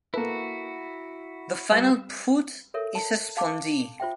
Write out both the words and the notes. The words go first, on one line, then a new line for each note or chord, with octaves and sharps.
The final foot is a spondee.
A#3 E4 F#4 A4 B4
G3 B4 F5 E6
A4 A#4 C#5 E5
A5
F5 A5 D6
F4 C5 E5 G5